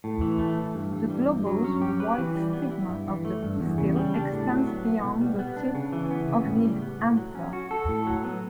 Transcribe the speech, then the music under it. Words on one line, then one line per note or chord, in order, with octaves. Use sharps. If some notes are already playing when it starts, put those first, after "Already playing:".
The globose white stigma of the pistil extends beyond the tip of the anther.
A2
E3
A3
A2
G2
E3
G3
G2
F#3
C#4
G4
B4
E3
G3
B3
E4
G2
E3
A3
G2
E2
C#3
G3
D4
A2
F#3
B3
A2
B2
G3
B3
D4
C#3
E3
B3
C#3
A2
G3
B3
A2
F#3
C#4
F#4
A4
A2
F#3
B3